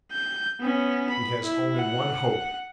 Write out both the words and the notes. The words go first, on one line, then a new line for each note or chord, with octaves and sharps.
He has only one hope.
G6
B3 C#4
B5
E4
F#5